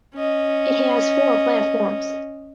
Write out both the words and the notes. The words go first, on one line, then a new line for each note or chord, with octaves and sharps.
It has four platforms.
C#4 D#5